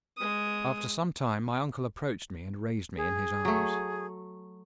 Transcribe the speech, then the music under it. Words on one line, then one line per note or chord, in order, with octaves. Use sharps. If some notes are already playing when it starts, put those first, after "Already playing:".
After some time my uncle approached me and raised me in his arms.
G#3 D#6
G#4
F#3 A3